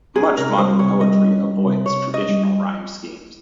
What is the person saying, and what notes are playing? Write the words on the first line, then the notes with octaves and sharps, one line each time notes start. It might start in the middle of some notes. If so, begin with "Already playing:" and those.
Much modern poetry avoids traditional rhyme schemes.
C#4 G#4
C3 A#4
G3 C5
C3 C#5
G3 D#5
C#4
G3
C3
C3 C#5
C#4
D#5
G3